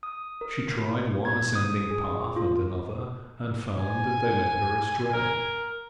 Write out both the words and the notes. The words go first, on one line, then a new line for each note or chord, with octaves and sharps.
She tried one ascending path and another, and found that they led her astray.
D#6
A#4
G#6
D#6
G#4
F4
G#5
A#4